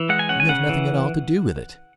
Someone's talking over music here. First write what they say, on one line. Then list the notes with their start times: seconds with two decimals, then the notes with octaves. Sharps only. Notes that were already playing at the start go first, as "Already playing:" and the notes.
"You have nothing at all to do with it."
Already playing: E3
0.09 G#3 F#5
0.19 G#5
0.29 C#4 F#5
0.40 G#5
0.49 C#3 F#5
0.69 E3